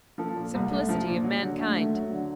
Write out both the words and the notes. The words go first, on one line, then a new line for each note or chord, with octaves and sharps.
Simplicity of mankind!
F3 A4
A#2
C2
A3
F3
A#2
F#3
D3
D2
A3
F#3
D3